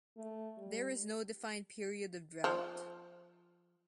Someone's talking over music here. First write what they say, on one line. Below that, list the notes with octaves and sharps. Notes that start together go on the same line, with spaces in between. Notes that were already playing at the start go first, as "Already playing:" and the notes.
There is no defined period of drought.
A3
G3
F3